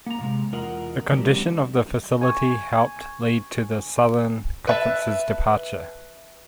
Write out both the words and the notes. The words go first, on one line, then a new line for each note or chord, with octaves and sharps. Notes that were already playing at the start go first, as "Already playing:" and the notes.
The condition of the facility helped lead to the Southern Conference's departure.
A#3 A#5
A2 C3 G#3
E2 F4 A#4 D#5 F#5 A#5
D#3 F#3 G#3 C4 D4 G4
G#5 C#6
B4 E5 A5